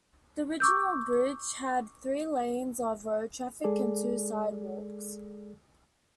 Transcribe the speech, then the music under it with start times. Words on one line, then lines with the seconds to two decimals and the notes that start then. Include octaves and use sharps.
The original bridge had three lanes of road traffic and two sidewalks.
0.60 C#6 D6 E6 G6
3.64 G#3 G#4 A4 D5